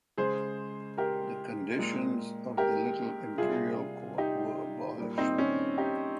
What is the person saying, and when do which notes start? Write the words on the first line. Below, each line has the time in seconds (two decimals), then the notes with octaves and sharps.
The conditions of the "little imperial court" were abolished.
0.18 C#3 G#3 G#4 C5
0.98 G4 A#4
1.78 A#2 G#3
2.57 G4 A#4
3.37 C3 G3 F4 G#4
4.18 D#4 G4
4.98 A#2 G3
5.18 C4 D#4
5.38 C#4
5.78 D#4 G4